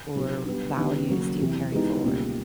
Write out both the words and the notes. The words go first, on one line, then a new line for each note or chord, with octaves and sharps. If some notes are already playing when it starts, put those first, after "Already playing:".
or values do you carry forward?
B2 F#3 B3 D#4 G4
G3 B3 D4
D#3 G3 B3 D4 G4
C#3 F#3 A#3
E2 C3 E3
E3 G#3 B3 D#4 G4
C#2 B2 G3 A#3